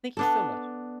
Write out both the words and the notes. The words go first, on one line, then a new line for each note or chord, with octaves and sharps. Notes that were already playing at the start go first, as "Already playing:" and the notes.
Thank you so much.
B3 D4 A4